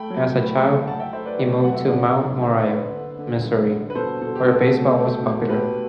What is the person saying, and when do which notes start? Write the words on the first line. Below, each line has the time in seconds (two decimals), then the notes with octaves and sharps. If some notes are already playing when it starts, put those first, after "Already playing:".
As a child, he moved to Mount Moriah, Missouri, where baseball was popular.
Already playing: A3 G5 B5
0.10 F#3
0.35 A2
0.61 A3
0.87 A2 F#5 A5
1.00 E5 G5
1.13 A3 C5 E5
1.26 B4 D5
1.38 A2 G4 B4
1.63 F#3 F#5
1.74 E5
1.85 D3 D5 F#5
2.16 D3
2.41 D3 C5 E5
2.67 D3 B4 D5
2.92 D3
3.18 D3
3.44 G3
3.69 D3
3.90 B4
3.95 B2 A4 C5
4.21 B2 A4
4.35 G4
4.47 B2 A4
4.73 A3
4.98 A3
5.24 B2
5.49 A3 G4 B4